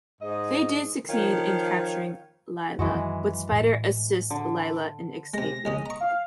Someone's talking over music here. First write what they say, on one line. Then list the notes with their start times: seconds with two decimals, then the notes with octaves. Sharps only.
They did succeed in capturing Lila, but Spyder assists Lila in escaping.
0.21 G#2 D#5
1.09 D#3 F3 F4 C#5 F5 G5
2.79 F#2 D#3 E3 F#3 G#3 F#4
3.52 A2
4.31 D3
5.34 C3 G#3 A#6
5.65 C#2 G#3 C#4 D#5
5.86 A#5 C#6
6.01 F5